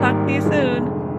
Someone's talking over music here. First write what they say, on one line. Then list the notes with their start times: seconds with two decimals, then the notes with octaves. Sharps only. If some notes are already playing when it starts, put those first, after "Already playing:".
Talk to you soon.
Already playing: G#1 G#2 D#3 G3 A#3
0.44 F1 F2 D3 G#3